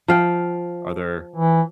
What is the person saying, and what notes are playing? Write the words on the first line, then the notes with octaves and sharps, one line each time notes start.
are there
F3 F5 G5
E3